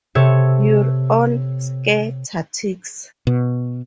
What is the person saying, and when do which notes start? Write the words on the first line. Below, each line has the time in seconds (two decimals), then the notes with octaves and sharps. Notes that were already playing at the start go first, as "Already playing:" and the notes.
You're on "Scare Tactics"!
0.15 C3 A4 C#5
3.27 B2